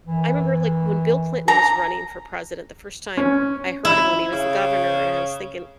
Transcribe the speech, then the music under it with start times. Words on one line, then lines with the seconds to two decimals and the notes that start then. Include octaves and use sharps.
I remember, like, when Bill Clinton was running for president, the first time I heard him when he was the governor, and I was thinking,
0.06 F#2 E3
1.48 A#5
3.17 C#4
3.85 E4
4.32 C#3